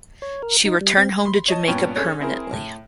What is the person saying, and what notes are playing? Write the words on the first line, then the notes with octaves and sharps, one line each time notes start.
She returned home to Jamaica permanently.
C#5
A#4
D#4
G3
C4
B5 C6
C#5 D#5 A5
G2 A#2 B3 C#4 G5 C#6
C#4 G#4 A4 C#5
C4 E4 G#4 A#4
A2